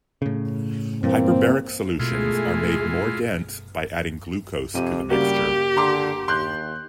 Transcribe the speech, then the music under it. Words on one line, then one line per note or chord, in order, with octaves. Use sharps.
Hyperbaric solutions are made more dense by adding glucose to the mixture.
A2 C#3
G2 A#2 E3 A#3 C4 C5
B2 G#3 A3 E4 F4 G#4
F2 C3 G4 D#7
C#3 G3 A#3 F#4 G4
D3 A#5 C6 D6
D#2 C6 F#6 G6